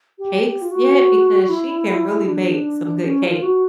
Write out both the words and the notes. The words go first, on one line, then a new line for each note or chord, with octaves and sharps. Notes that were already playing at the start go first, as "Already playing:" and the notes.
cakes yet because she can really bake some good cakes."
G4
G4
F4
F#4
E4
D4
C#4
F4
F#4